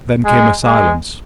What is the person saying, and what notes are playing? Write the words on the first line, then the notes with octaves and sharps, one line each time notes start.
Then came a silence.
G#3
G#3